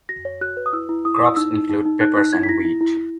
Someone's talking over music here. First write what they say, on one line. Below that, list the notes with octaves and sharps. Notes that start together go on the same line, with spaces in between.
Crops include peppers and wheat.
F#4 A#6
C#5
F#4 F#6
B4
D#6
E4 E6
E4
E4 D#6
D#6
E4
E6
D#4 E6
D#4
D#4
D#4
D#4 F#6
D#4 F#6
E4 G#6
B6
E4 A#6
E4
E4
E4